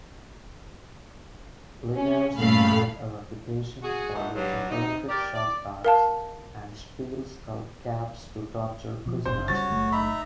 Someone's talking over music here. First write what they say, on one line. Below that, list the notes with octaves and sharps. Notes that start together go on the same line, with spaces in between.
Linares had a reputation for using electric-shock baths and steel skull-caps to torture prisoners.
C#4
G2 A#2 C#3 A3 F5 B5
F#4 G#4
G2 A#2 A3 D#4 D#5 F#5
G2 F#3
C3 D#4
G4 A#4 D5
D5
A#4 F5 A5
B2 F3
F#1 C3 C5
C#3 E3 G3 F#4 C#5 A6
F#1 A3
D#4 E5 A#5 B5